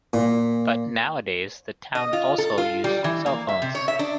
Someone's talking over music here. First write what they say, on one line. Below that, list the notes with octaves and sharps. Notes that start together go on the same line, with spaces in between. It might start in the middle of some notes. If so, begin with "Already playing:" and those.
But nowadays the town also used cellphones.
A#2
D#5
F4
A4
F4
G3
E3
A#3
E5
C3
C#5
E5
D4